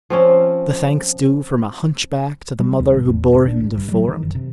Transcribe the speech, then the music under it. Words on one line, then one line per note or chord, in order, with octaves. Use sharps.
The thanks due from a hunchback to the mother who bore him deformed.
F3 C4 C#4
G3
D#2
G#1
E2
G#1
D4
G#1
G2
F#3
D#3
F#1
C3